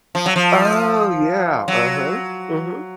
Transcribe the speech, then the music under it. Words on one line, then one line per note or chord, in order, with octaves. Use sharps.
Oh, yeah, uh-huh, mhm.
F3
F#3
F3
F#3